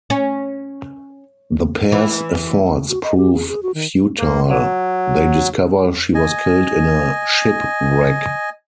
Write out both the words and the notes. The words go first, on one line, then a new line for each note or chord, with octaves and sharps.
The pair's efforts prove futile; they discover she was killed in a shipwreck.
C#4
E3
F#4
D#5
G4
G#4
G#4
F#4
D#3
A#3
F#3
D#5 G#5